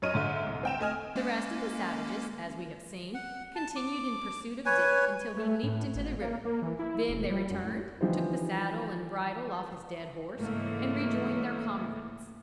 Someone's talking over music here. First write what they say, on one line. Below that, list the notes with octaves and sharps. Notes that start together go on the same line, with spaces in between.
The rest of the savages, as we have seen, continued in pursuit of Dick until he leaped into the river; then they returned, took the saddle and bridle off his dead horse, and rejoined their comrades.
F#2 C#5 D#5 F6 D#7
G#2 D3 E5
C2
C4 G5 E7
A3 D#5 G#5 F6
G#3 A#3 C#4
F#5
A5
D6
B4 C#5 G#5
A3
A2
G#1
A#3
A#3
E3
E4
E1
G3
F#2
A2
D3 E3 F3 D#4 G4 C5
G#2 C#3 E3 A3 A#3